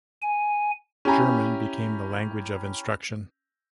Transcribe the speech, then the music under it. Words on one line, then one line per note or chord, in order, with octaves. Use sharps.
German became the language of instruction.
G#5
C#4 E4 G4 G#5 A#5 B5